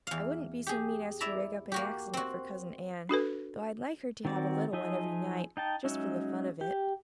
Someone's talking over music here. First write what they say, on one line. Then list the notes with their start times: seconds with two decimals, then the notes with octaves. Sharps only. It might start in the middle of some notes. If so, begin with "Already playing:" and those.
"I wouldn't be so mean as to rig up an accident for Cousin Ann, though I'd like her to have a little one every night, just for the fun of it."
0.07 E2 F5
0.67 G4 G#4
1.21 E4 D5 E5 A#5
1.72 A#3 F#4 G4
2.14 C4 F#4
3.09 D4 F#4 A4 B4
4.25 D#3 C4 F#4 D5
4.73 F3 D#4 G#4 D#5 E5
5.57 D#4 G5 A5
5.84 F#3 G#3 C#4 D#4 E5
6.61 G4